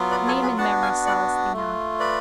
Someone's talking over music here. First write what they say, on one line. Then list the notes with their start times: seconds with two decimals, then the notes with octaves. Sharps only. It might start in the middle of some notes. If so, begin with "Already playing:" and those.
Name and memory solace thee not.
Already playing: F#3 B3 F4
0.11 B4 D5
0.27 A4 C#5
0.42 G#4 B4
0.58 B3 D4 F#4 F#5 A5
0.82 F5 G#5
1.06 D5 F#5
1.52 A3 F4
2.00 B4 D5